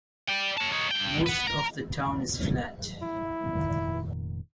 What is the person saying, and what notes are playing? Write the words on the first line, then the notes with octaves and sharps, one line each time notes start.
Most of the town is flat.
D5 G5
C#5 A5
D#4 C#5
G2 G5
B4 F#5
A#4
E4
F1 A#2 D#3